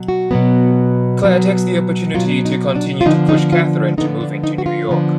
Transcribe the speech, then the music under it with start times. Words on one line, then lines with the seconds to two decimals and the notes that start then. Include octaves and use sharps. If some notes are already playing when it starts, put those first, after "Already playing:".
Claire takes the opportunity to continue to push Catherine to moving to New York.
Already playing: B2 F#3
0.08 F#4
0.31 B2 F#3 B3
1.23 B2 F#3 B3
2.14 B2 F#3 B3 F4
2.45 D#4
2.76 D4
3.01 F4
3.06 D3 F3 B3 D#4
3.29 D#4
3.52 F4
3.98 D3 F3 B3 D#4
4.21 D4
4.44 D#4
4.58 F#4
4.66 F4
4.89 D3 F3 B3